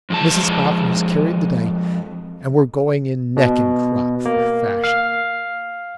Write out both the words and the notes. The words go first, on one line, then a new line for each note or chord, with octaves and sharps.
Mrs Boffin has carried the day, and we're going in neck and crop for Fashion.'
F2 G#3 A5
B2
A#3
F5